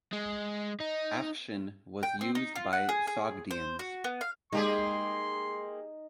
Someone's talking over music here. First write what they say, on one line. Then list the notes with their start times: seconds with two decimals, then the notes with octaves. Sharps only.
Afshin was used by Sogdians.
0.13 G#3
0.80 D#4
2.03 G5
2.21 C4
2.35 D#4
2.56 F4
2.73 F#5
2.89 G#4
3.07 G#4
3.51 C5
3.79 F#4
4.04 B3
4.21 F5
4.53 G#3 A#3 D#4 G4 G#4 D#5 C6